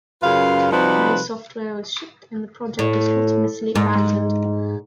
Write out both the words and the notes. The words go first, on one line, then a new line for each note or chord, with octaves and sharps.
No software was shipped, and the project was ultimately abandoned.
F#2 C#3 F4 B4 F5
C3 F3 G3 D#4 F#4 B4
A2
G#2